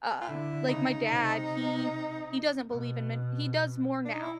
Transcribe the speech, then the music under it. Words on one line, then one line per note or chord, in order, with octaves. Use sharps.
Uh, like my dad, he he doesn't believe in men he does more now,
F4
D3 E4
C#3 D#4
C3
B2
D4
D#4
E4